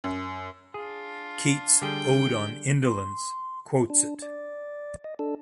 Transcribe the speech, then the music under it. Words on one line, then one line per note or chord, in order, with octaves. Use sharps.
Keats' "Ode on Indolence" quotes it.
F#2
D4 F4 G#4
D3 G3 G#4 G5
C6
D4
D5
D#5
D4 A4